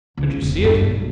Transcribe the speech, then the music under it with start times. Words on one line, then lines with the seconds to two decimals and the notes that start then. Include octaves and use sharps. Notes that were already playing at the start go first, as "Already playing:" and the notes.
Don't you see it?
0.17 C#2
0.42 E1
0.64 G2
0.84 B1